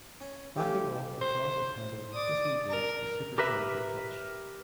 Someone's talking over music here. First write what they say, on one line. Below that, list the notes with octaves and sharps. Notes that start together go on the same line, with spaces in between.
Backing off the throttle pedal disengaged the supercharger clutch.
C#4
A3 C#4 F4 G4
C5
D5 D6 D#6
A#4
G4 A#4 B4 E5